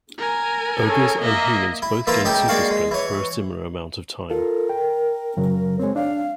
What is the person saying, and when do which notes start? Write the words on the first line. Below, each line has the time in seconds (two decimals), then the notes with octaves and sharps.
Ogres and humans both gain super strength for a similar amount of time.
0.18 A#4 G#5
0.87 C#4 G#4 A4
1.21 A#3 D#5 E5
1.82 E4
2.07 E3 A#3 E4 F4 A#4 E5
2.25 C#2 D#4 G4 E5
2.48 G#3 A#3 D4 F#4 F5 F#5
2.70 G#3
2.91 E3 C#5
4.30 F4 A4 A#4
4.69 G5
5.37 F#2 C#3 F#3
5.79 G#3 C4 C#5
5.96 D4 F5